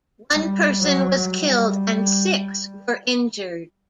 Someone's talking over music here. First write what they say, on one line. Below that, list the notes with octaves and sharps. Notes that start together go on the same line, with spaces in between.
One person was killed and six were injured.
G3
F#3
G3